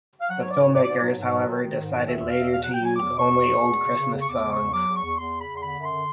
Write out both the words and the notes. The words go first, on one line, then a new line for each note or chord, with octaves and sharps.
The filmmakers however decided later to use only old Christmas songs.
F5
F#3 F#5
G#2 C#5
D5
G#2 C#5
G#2 D5
D5
G#2
D5
F#3
G#2
F#3
D#3
D#3
G#2
D#3
E2 E5
E2
F5
E2 E5
B2 F5
F#3 F#5
G5
F#3 G#5
E2 D6
B2
C#6
E2
B2
E2
B2
C#3
C#3
E2
C#6
E2 D6
C#3
C#6
E2
F#3 D6
E2
C#6
E2
E2 C6
C#3
B5
E2
C6
D3 B5
F#2
C6
D3